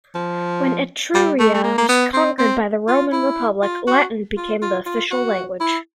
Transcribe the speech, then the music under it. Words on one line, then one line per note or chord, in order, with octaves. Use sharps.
When Etruria was conquered by the Roman Republic, Latin became the official language.
F3
G3
A3
A3
A#3
A#3
B3
C4
C4
F4
E4
F4
F#4
F4
F4
F4
F#4
E4